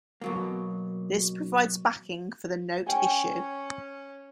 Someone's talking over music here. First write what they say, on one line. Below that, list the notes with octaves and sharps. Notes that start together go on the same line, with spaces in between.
This provides backing for the note issue.
B2 F#3 A#3
C#4 G5 G#5